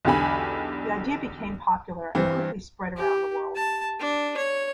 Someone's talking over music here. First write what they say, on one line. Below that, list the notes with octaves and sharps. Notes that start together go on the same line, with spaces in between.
The idea became popular and quickly spread around the world.
B1 E2 D3 G4 G#5 B5
G2 E3 C4
G4
A5
D4
C#5